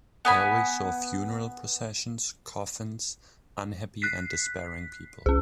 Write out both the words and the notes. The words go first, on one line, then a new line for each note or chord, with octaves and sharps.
I always saw funeral processions, coffins, unhappy and despairing people.
B3 G#5 B5
F#6 B6 C7
C2 C#4 G#4